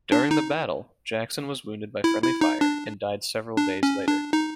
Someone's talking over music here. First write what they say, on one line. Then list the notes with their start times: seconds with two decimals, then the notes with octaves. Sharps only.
During the battle, Jackson was wounded by friendly fire and died several days later.
0.12 D4
0.31 D#4
2.04 E4
2.22 E4
2.41 D#4
2.61 D4
3.56 D4
3.83 C#4
4.08 D4
4.33 D#4